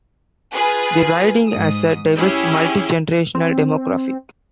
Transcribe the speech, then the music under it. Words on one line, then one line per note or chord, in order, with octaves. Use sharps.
The riding has a diverse, multi-generational demographic.
F4 G#4 B4
G#2 D#6
C#4 E4 G4 G#4
C4